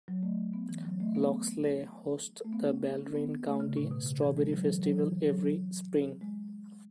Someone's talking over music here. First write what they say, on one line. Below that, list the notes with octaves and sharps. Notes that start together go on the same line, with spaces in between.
Loxley hosts the Baldwin County Strawberry Festival every spring.
F#3
A3
B3
E3
F#3
A3
B3
A3
B3
C#4
C#4
B3
B3
A3
C#3
A2
B2
C#3
E3
G#3
F#3
E3
F#3
E3
F#3
G#3